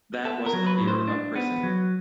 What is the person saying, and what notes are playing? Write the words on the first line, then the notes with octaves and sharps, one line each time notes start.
That was the fear of prison.
B3 A4
A#4
F#3
B4
A2
C5
D4
B3
F#3